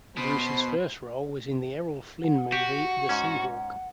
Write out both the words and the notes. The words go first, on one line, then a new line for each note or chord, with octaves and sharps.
Bruce's first role was in the Errol Flynn movie The Sea Hawk.
B2 C5 B5 C6
F#5
F#4 G4
G#2 C#4